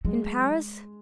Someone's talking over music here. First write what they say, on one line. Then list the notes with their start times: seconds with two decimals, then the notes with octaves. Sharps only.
In Paris?
0.05 F#3 G#3